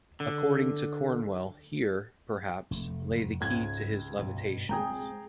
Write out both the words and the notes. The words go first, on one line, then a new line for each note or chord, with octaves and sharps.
According to Cornwell Here, perhaps, lay the key to his levitations.
D3
F1 A#2 A3
F1
C#2 G#2 G#6
G2 B2
G#3 C4 G#4 G5 A#5